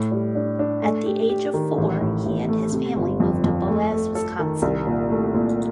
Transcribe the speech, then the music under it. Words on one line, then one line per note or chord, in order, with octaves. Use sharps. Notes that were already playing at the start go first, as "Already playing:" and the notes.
At the age of four, he and his family moved to Boaz, Wisconsin.
Already playing: A2
G3
D4
D4
A3
G4
G4
D#3
A1
A2
A1
A3
C3
G1
F2
F2
A3
A3
A4
D#3
C2
A#2
A3
A#2